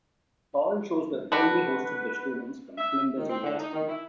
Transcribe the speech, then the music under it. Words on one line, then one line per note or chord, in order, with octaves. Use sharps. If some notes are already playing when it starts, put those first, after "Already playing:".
All shows were solely hosted by students from Flinders University.
D3 G3 F#4 B4
E5
D#3
C4
D3
D#4
D#3
E4